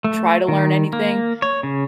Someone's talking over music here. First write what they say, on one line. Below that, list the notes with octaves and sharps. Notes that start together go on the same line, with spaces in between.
try to learn anything
A3
D#3
A#3
C#5
C#3